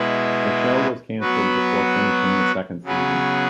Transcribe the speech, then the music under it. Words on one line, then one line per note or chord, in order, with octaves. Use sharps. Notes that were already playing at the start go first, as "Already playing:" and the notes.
The show was canceled before finishing the second season.
Already playing: B2 G#3 E4 B4
F#3 B3 F#4 B4
C#3 F#3 B3 G#4 B4